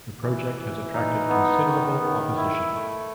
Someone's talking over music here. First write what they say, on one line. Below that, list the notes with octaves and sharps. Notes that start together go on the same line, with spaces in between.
The project has attracted considerable opposition.
E3
E3
D#4
B3
D#3
D#3
E4
A3